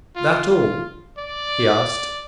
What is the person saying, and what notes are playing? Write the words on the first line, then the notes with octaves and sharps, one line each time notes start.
"That all?" he asked.
F4
F4
D5